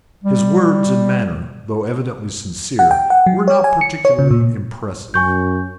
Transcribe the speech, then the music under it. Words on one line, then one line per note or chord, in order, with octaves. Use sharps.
His words and manner, though evidently sincere, were not particularly impressive.
G3
F#5
G5
F#5
F#3
C#5
G#5
C#7
C#5
C#3
A#2
F#2 G#5 C#6 G6